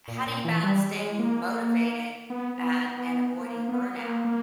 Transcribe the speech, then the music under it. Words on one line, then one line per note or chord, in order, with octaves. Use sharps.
how do you balance staying motivated and and avoiding burnout
A#2
A#2
E3
G3
G#3
A#3
B3
B3
B3
A#3
B3
B3
A#3
A#3